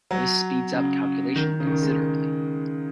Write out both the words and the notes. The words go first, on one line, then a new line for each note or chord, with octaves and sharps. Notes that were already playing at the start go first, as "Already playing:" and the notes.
This speeds up calculation considerably.
F#3
C#3
D#3
C#3
D#3
G#3